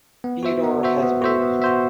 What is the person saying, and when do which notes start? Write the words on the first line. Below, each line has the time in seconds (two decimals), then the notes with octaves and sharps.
Theodore Hesburgh.
0.24 B3
0.43 F#4 C5 E5
0.64 B3
0.83 F#4 C5 E5
1.02 B3
1.22 F#4 C5 E5
1.42 B3
1.62 F#4 C5 E5